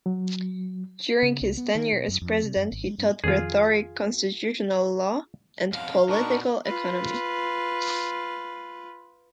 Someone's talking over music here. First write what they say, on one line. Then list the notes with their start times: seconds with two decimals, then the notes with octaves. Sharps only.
During his tenure as President, he taught Rhetoric, Constitutional Law, and Political Economy.
0.06 F#3
1.23 C#3
1.41 C2
1.57 B3
1.75 D#3
1.92 B2
2.08 F#2
2.22 F2
2.43 C3
2.56 F#2
2.72 G#1
2.86 G#3
2.98 G2
3.24 F2 D#3 F3 F4 G#4
5.72 F2 B2 F#3 F5
6.09 A#2 B3 D4 D#4 F#4 A#4 B4 C#6
6.65 F4 B4